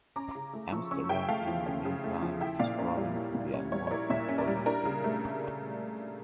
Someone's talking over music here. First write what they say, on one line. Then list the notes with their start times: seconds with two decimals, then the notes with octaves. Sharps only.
Amsterdam in the mean time was growing to be a more important city.
0.16 C#4 A#5 D6
0.35 C#3
0.53 A3
0.72 F3 C#6 E6
0.91 C#4 C#6 E6
1.09 C#3 E5 G5
1.29 A3 F5 A5
1.47 F3
1.66 C#4
1.85 C#3
2.04 A3
2.22 F3
2.41 E4 E5 G5
2.59 A#2 D5 F5
2.79 C#4 A#4 D5
2.97 G3 C#5
3.16 E4
3.35 A#2
3.54 C#4 C#5
3.72 G3 C#5
3.87 C#5
3.91 E4 A#4 D5
4.10 A#2 C#5 E5
4.28 C#4
4.38 A#4 D5
4.48 G3
4.66 D4 A#4
4.85 C#3
5.04 A3